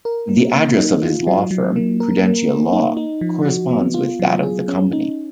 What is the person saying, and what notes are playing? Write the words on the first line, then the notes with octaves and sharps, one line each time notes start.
The address of his law firm, Prudentia law, corresponds with that of the company.
A#4
A#3
A#3
D#4
F4
F#3
F#3
A#3
A#4
A#3
A#3
D#4
D#4
F3
F#4
B3
F4
F#3
G#4
C#4
D#4